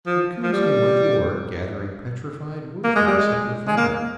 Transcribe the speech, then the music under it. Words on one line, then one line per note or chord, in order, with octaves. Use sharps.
And Coonskin went to work gathering petrified wood for the supper fire.
F3
F3
G3
A#3
G#3
G3
G#3
G#3
A#3